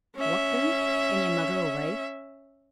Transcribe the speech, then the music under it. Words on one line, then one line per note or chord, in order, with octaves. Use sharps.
'What then? and yo'r mother away.
C#4 E5